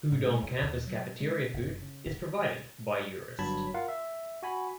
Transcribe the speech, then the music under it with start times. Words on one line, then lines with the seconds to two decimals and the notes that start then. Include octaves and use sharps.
Pudong campus cafeteria food is provided by Eurest.
0.12 G#2
0.26 G#3
0.42 E2
0.62 D#2
0.87 F#3
1.20 G#3
1.54 F#1
1.82 C#3
2.06 D1
3.39 G1 G2 F#3 A5 B5 G#6
3.74 F4 A#4 F5 F#5
3.88 E5
4.43 F#4 G#5 B5